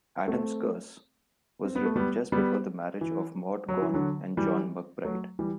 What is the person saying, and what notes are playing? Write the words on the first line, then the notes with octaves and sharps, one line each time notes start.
"Adam's Curse" was written just before the marriage of Maud Gonne and John MacBride.
A3 C4
C4
B3
A3
G3 B3
G3 B3
E3
F#3
E3
D3 F#3
E3 G3
F#3 A3
E3 G3